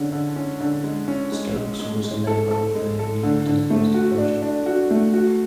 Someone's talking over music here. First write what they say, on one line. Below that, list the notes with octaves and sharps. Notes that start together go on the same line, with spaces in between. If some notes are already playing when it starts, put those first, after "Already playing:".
Stokes was a member of the New Democratic Party.
Already playing: D3 G#3 C#4
D3
C#4
D3
G#3
C#4
G#3
G#3
G#3
G#3
A4
A4
G#3
A4
D3
D3
A3
F#4
D4
D4
F#4
A3
F#4